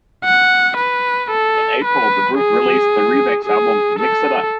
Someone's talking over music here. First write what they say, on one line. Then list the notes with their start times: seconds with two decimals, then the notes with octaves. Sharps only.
In April, the group released the remix album "Mix It Up".
0.24 F#5
0.77 B4
1.30 A4
1.84 B4
2.38 G#4
3.45 G#4
3.99 A4